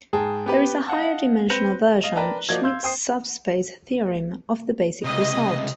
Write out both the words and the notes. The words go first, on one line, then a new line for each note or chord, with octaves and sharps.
There is a higher-dimensional version, Schmidt's subspace theorem, of the basic result.
G#2 G#4 G5 A5
B3 G4 B4
D#5 F5 F#5 A5
C4 B4 G6 A#6 C#7
D#5 F5
A#4 B4 D5 G5 A5 A#5
F3 A#3 F#4 D5 D#5 G#6
F5 C6 E6 G6
C5 G5 D#6 C7
C#2 C3 D#5